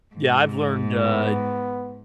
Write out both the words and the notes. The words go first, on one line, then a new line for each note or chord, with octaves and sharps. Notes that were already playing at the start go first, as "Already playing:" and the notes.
Yeah, I've learned, uh,
G#2
B3